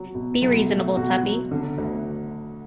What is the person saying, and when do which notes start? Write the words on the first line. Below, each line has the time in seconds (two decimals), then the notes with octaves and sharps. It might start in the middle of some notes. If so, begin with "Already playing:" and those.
Be reasonable, Tuppy.
Already playing: F#3
0.15 B2
0.42 B1
0.69 A3
0.96 B2 F#4
1.23 F#3
1.51 D3
1.78 D2